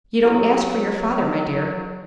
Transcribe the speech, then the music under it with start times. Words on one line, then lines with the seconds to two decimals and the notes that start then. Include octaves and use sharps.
"You don't ask for your father, my dear."
0.25 F#3 E4 G4 A4